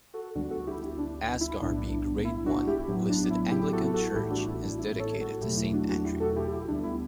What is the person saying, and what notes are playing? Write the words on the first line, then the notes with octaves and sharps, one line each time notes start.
Asgarby Grade One listed Anglican church is dedicated to Saint Andrew.
F#4 A4
D2 D3 G3 B3 D4 F#4
F#4 A4
E4 G4
E4
D4
E4
B1 A2 G3 B3 D4
E4
D4 F#4
E4 G4
A1 A2 F#3 B3
D4
E4
E4 G4
F#4 A4
F#4 A4
A1 A2 E3 G3 B3 E4 G4
D4 F#4
E4
D4
E4
A4 C#5
F#4 A4
E2 B2 F#3 A3 E4 G4
E4
D4 F#4
D4 F#4
E4 G4
F#4 A4
E4 G4
E4
D2 D3 G3 B3 D4
E4